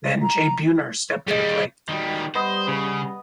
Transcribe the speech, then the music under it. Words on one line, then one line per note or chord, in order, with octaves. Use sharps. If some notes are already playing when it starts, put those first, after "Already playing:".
Then Jay Buhner stepped to the plate.
A#5
D#2 G3 G#4 D#5
D#3 G3 G#3 F#4
G3 B3 C5 D#5
C#3